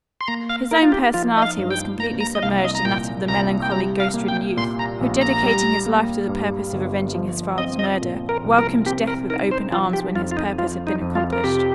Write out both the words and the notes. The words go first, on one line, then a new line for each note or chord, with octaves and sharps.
His own personality was completely submerged in that of the melancholy ghost-ridden youth, who, dedicating his life to the purpose of avenging his father's murder, welcomed death with open arms when his purpose had been accomplished.
C6
A#3 A#5
F5
D#4 A#4
F4
G4
F3 F4
D#5
F5
G2
G5
A#3 A#5
A#5
D#5
C2 F5
D#5
A#5
A#2 G5
C2 A#5
G5
G3 A#5
F5
A#3
G5
A#2 C6
A#5
A#1
A#5
G3
A#3
G2
G1
F3
C4 D#5
D#5
A#2
A#4
C2
A#4
C4 G4
A#4
D#4 A#4
C5
F3 F4
G4
F2 F4
F4
D#4
F3 F4
D#4
F2
F4
A#4
C3 G4